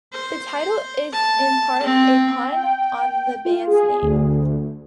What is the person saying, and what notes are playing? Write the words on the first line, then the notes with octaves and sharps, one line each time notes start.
The title is in part a pun on the band's name.
C5
A5
C4
G5
F4
G#4
D2